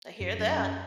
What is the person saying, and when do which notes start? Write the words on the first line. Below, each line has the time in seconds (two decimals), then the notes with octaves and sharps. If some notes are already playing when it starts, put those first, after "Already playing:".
I hear that.
0.20 F#2
0.39 F#2
0.59 C#4